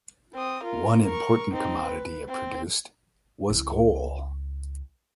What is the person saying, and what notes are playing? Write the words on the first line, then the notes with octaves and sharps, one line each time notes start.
One important commodity it produced was coal.
C4 D#6
F4 A#4
A#4 C#6
C4 D#4
B4
C4
C#2 E4